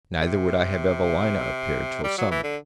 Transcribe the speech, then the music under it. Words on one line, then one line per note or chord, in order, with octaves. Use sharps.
Neither would I have Evelina appear till summoned.
D3
C3
G3
F#3
E3
D3